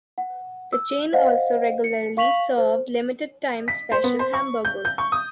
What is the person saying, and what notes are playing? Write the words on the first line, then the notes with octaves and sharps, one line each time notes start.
The chain also regularly served limited-time special hamburgers.
F#5
E6
C5 D#5 F5 F#5
C#7
F5 C#6 B6 F7 F#7
C5
B6
C5
B3
C5
C#6
G6
G6
C#6
D#6